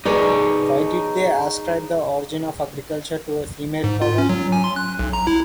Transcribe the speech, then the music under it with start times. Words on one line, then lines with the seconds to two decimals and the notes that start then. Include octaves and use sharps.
Why did they ascribe the origin of agriculture to a female power?
0.05 D#4 G#4 B4 C#5 D5
3.84 G#2
4.02 F4
4.18 C#4
4.29 F#3
4.52 G#5
4.64 C6
4.76 F#6
4.99 B1
5.13 A#5
5.27 E4